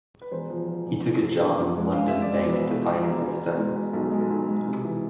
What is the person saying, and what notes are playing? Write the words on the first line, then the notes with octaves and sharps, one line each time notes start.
He took a job in a London bank to finance his studies.
B4
E1 C5
F3
F3
E2
C3
F3
E1
F3
G#3
G#3 F5
G#3 E5
D5
B2 C5
E2 B4
B2
B2
E1
B2
B2
G#3
B2
B1 A4
G#4
G#3
A4
B1
G#3
C3
E3